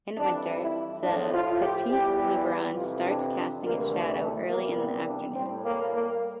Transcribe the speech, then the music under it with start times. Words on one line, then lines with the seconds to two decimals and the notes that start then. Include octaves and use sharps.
In winter, the Petit Luberon starts casting its shadow early in the afternoon.
0.17 F2 E3 G3 D4
0.61 E4
1.03 A2 F3 D4
1.33 F4
1.62 G4
1.90 E2 E3 G3 G4
2.76 F2 C3 E3 F4
3.05 D4
3.34 D4
3.63 D2 C3 E3 G3 A#3
3.92 A3
4.20 A3
4.49 E2 C3 G3 A#3
4.78 A#3
5.06 D4
5.36 A2 G3 C4
5.64 A#3
5.93 A#3